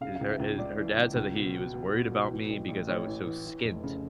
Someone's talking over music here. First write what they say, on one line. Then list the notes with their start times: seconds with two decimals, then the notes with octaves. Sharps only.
eh her his her dad said that he was worried about me because I was so skint.
0.01 C#3 F5
0.15 F5
0.21 C#2
0.30 E5
0.40 C#2
0.58 C#2 D5
0.77 E3
0.97 C#2
1.16 C#2
1.35 B2
1.54 B2
1.73 B2
1.93 B2
2.12 B2
2.31 E3
2.50 A1
2.68 A1
2.88 A1 C#5
3.07 E3
3.26 E3
3.46 E3
3.65 F1
3.84 C#3